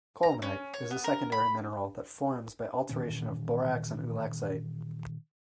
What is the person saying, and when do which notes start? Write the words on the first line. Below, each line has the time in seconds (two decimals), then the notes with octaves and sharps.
Colemanite is a secondary mineral that forms by alteration of borax and ulexite.
0.23 A#5
0.42 C#4
0.74 C#5
0.91 B3
1.04 A#4
1.32 B5
2.89 A#2 D#3 E3 C#4